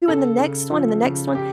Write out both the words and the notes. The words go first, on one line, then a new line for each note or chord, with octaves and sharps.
in the next one and the next one?"
C#3 A4
C#3
F3
C#3
G4